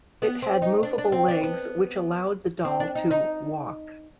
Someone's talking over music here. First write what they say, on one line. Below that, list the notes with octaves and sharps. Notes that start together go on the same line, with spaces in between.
It had movable legs which allowed the doll to "walk".
B3
C4
D#4
D4
D4
C4
D4
B3
C4
D4
D#4
D#4